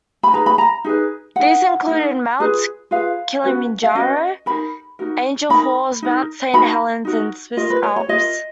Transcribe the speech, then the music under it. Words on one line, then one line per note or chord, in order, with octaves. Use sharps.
These included Mount Kilimanjaro, Angel Falls, Mount Saint Helens, and the Swiss Alps.
B5
D#4 G#4 B4 A#5
B5
A#5
D#4 G#4 B4
D#4 A#4 F#5
D#4 A#4
F4 G#4 B4
F4 G#4 B4 F5
C#4 F#4 B4
F5
C#4 F#4 B4 D#5
D#4 F#4 A#4 B5
D#4 F#4 A#4
D#4 A#4 B5
D#4 A#4
D#4 F#4 A#4 B5
D#4 F#4 A#4
F4 A#4 D#5
B4
C#5
C#5
F4 A#4 D#5